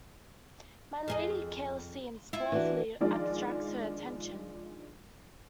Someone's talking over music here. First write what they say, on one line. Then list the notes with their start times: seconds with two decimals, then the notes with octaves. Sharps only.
My Lady carelessly and scornfully abstracts her attention.
1.08 F2 G#4 D#5
2.33 E4 F4
2.52 E3 D4 F#4
3.00 D#3 F3 G#3 D4 F4 D5